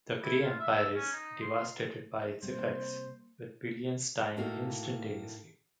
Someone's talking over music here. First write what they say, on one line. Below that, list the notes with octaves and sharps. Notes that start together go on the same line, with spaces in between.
The Kree Empire is devastated by its effects, with billions dying instantaneously.
E4
F4
E5
E6
C#4
D#4
C6
C3 G3 G#3 A#3 C5
A2 A#3 D#4 F#4 A4 F5